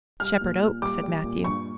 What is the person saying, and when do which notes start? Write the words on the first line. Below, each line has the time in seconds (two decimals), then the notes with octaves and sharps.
"Shepherd Oak," said Matthew.
0.20 G3 F6
0.41 A#2
0.62 A#2
0.82 G3 D6
1.03 G3
1.24 A#2
1.44 G2 C#6